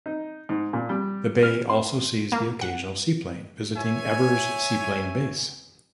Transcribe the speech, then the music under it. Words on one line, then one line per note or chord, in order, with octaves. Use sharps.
The bay also sees the occasional seaplane, visiting Evers Seaplane Base.
D#4
G#2
A#2
G3
F6
C6
A#3
F#5
C#5 E5 G#5